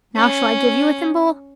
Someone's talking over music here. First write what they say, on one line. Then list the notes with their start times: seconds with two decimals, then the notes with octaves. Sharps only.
"Now shall I give you a thimble?"
0.16 C#4